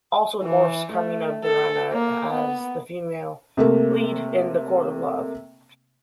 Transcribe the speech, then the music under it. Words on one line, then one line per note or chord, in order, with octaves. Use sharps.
Also in Orff's "Carmina Burana" as the female lead in the Court of Love.
E3
A3
A4
A#3
B3
C3 A3 A#3